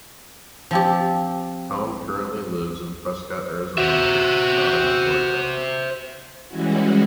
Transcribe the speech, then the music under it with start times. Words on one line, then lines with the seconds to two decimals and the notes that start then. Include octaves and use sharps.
Tom currently lives in Prescott Arizona with his daughter, Georgia.
0.71 F3 C4 G4
3.78 F#4 C5 E5
6.48 E3 G3 G#3 C#4 E4 F#4